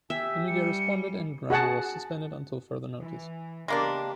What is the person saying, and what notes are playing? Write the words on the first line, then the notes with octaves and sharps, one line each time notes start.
The media responded and Rymer was suspended until further notice.
G4 E5 G5 G#5
G3 C#7
F#4 G#4 F#5 A5
E3
C#3 G#3 A#3 B3 D4 G4